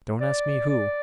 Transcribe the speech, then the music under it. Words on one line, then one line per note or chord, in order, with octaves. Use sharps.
Don't ask me who.
D5
D5